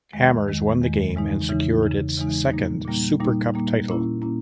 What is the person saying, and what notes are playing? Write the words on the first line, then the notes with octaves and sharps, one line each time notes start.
Hammers won the game and secured its second Supercup title.
E2 D#3 G#3
E2 D#3 G#3
E2 D#3 G#3
E2 C#3 E3 G#3 D#4
E2 C#3 E3 G#3 D#4
E2 C#3 E3 G#3 D#4
E2 C#3 E3 G#3 D#4
A#2 G3 A#3 D#4
A#2 G3 A#3 D#4
A#2 G3 A#3 D#4
A#2 G3 A#3 D#4
A#2 A#3 C#4 E4
A#2 A#3 C#4 E4